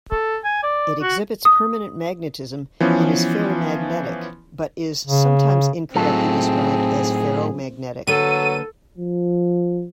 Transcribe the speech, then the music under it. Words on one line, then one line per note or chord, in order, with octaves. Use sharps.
It exhibits permanent magnetism and is ferrimagnetic, but is sometimes incorrectly described as ferromagnetic.
A4
G#5
D5
F#4
D#6
E3 F3 B3 C#4
C#3
A2 F#3 C4 D#4 F4 G#4 A4
D3 F#3 A#3 A4 B4 D#7
F3